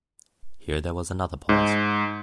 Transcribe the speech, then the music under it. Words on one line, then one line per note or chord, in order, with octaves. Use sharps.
Here there was another pause.
G#2